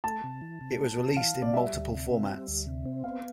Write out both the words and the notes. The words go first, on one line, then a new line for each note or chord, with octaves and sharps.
It was released in multiple formats.
A3 A5
C3
E3
C3
A3
C3
E3 F5
C3
D5
G3 E5
D2
C3
C4
G3
D2
C3
C4
B3 F5